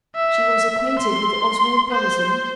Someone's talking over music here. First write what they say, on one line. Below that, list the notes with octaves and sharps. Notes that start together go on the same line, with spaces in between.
"She was acquainted with Oswald Brotherson?"
E5
C6
C5